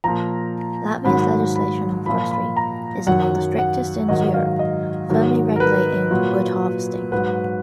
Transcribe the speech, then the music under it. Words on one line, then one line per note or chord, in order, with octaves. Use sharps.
Latvia's legislation on forestry is among the strictest in Europe firmly regulating wood harvesting.
A#2 F3 A#5
G#2 D#3 F#3 B5
B5
A#2 F3 B5
B5
A#5
F#2 D#3 F#3 F#5
F#5
G#2 D#3 F#3 D#5
F5
D#5
G#2 D#3 F#3
A#4
B4
A#2 F#3
G#2 F#3 B4